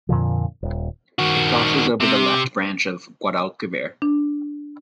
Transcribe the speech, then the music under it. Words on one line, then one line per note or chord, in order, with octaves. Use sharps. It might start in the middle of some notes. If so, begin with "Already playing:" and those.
It crosses over the left branch of Guadalquivir.
F2 A#2 D3 F3
D#1
D#3 F#4
C3
D4